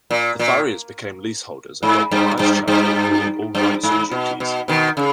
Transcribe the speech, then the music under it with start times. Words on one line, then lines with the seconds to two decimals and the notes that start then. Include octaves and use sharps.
The farriers became leaseholders and got demise charters ruling all rights and duties.
0.11 A#2
0.39 A#2
1.83 G#2
2.11 G2
2.39 G2
2.68 G2
3.55 G2
3.83 G#2
4.11 B2
4.40 B2
4.68 B2 D#3
4.97 C#3